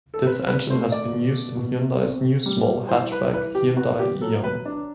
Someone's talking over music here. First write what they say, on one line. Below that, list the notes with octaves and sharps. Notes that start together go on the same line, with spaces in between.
This engine has been used in Hyundai's new small hatchback Hyundai Eon.
A4
C4 B4
B4
A3 C5
D5
B2
B2
C4
G3
E3 C5
B4
E3 B4
G4
B3 F#4
G4
F#3 A4
B4
D4